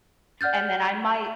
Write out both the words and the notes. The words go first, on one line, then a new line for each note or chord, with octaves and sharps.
and then I might
D5 F#5 F6 G6 A6